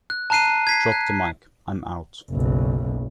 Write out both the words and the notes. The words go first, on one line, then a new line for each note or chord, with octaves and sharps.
Drop the Mic, I'm out.
F#6
A5 A#5 F#6 C7 D#7
G#6 B6 C7
F#6
F#1 B1